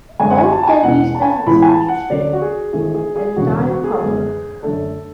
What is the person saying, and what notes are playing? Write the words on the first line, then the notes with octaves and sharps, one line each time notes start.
All of Dendy's business ventures failed, and he died a pauper.
F#2 D3 G#3 D4 G#5
F#5
G#5
A5
A5
G#5
E1 E2 B2 F#5
A5
G#5
A5
A1 A2 E3 G#3 B3 B5
G#5
A5
F#5
D2 D3 F#3 C#4 D5
F#4
G#4
G#1 G#2 E3 A3 G#4
G#4
G#4
E1 D2 C#3 F#4
F#4
G#4
A4
F#2 D3 G#3 B3 G#4
F#2 D3 A3 D4 A4